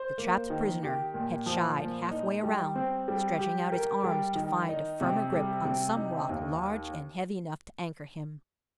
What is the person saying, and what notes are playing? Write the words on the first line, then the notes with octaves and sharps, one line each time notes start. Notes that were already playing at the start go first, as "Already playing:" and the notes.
The trapped prisoner had shied halfway around, stretching out his arms to find a firmer grip on some rock large and heavy enough to anchor him.
Already playing: C5
A#3
D#3
G4
A#2
F3
A#2
D#4
G3
C4
G3
G4
A#4
G3
D#3
D#4
C3
G3
C3
D#4
D#2